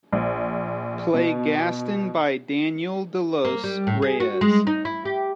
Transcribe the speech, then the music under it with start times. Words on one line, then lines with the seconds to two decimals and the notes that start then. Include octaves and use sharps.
Play Gaston by Daniel De Los Reyes.
0.13 A#1
1.14 B2
3.45 A#3
3.64 G3
3.87 A2
4.02 G#4
4.20 F#4
4.41 G#3
4.67 D#4
4.85 E4
5.05 G4